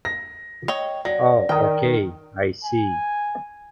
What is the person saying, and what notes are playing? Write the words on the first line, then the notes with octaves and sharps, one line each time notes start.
Oh okay, I see.
A#6
C#5 D#5 G5
F#3 D5 A#6
D#3 A#4 G5 D#6
G#5